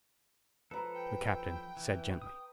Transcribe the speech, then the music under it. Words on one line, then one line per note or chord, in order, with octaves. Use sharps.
The Captain said gently.
F3 A4 B4 A#5
G5
E3
D#6